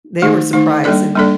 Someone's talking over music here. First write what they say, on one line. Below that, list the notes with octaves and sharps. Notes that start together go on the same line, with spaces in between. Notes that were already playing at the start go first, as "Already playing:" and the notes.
they were surprised, and
D#3 A3 D#4
D#3 A3 D#4
G3 A#3 D4 A4 D5
G3 A#3 D4 A4 D5